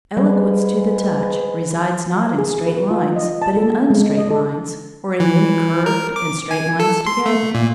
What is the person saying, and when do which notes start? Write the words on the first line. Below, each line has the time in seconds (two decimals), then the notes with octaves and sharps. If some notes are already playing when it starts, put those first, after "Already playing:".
Eloquence to the touch resides not in straight lines, but in unstraight lines, or in many curved and straight lines together.
0.17 G#2 G3 G#4 B4
2.38 G#4
2.66 B4
2.91 F4
3.16 D#5
3.42 A5
3.56 A4
3.74 A3
3.90 G#3
4.17 D#5
4.31 A4
5.20 E3
5.86 A#4
6.16 D6
6.51 G#5
6.80 A4
7.06 C6
7.26 A3
7.55 A#2